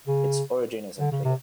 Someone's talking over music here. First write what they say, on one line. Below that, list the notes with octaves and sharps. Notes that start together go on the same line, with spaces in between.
Its origin is unclear.
C#3
D3
C#3
C3